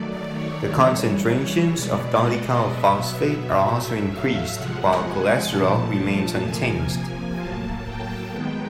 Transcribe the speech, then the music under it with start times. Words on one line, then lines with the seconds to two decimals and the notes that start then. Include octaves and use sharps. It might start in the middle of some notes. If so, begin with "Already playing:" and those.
The concentrations of dolichyl phosphate are also increased, while cholesterol remains unchanged.
Already playing: D#3 F#3 A3 D5
0.32 C#5
0.79 C#3 E3 G3
1.27 C#5
1.74 B2 G#3 B3 D5
2.20 D#5
2.68 B2 F#3 B3 E5
3.63 A2 F#3 A3
4.09 F5
4.56 C3 F3 G#3 F#5
5.02 G#5
5.50 A#2 F3 A3 A5
6.44 C3 F3 A#3 G#5
7.38 A2 F#3 A#3 A5
7.86 G5
8.32 D#3 G#3 B3